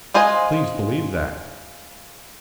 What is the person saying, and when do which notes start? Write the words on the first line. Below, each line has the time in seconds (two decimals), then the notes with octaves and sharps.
"Please believe that."
0.14 G#3 F4 C5 D#5 G#5